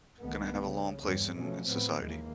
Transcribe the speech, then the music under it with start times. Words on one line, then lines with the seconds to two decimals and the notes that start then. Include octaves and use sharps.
gonna have a long place in in society.
0.20 C2 D#3 A3 B3
0.61 C#3
1.01 E2 G2 C#3 G3
1.36 B2 F3 F#3 A3 C#4
1.67 A2 B3 C4
2.01 D#2 E3 G#3 A#3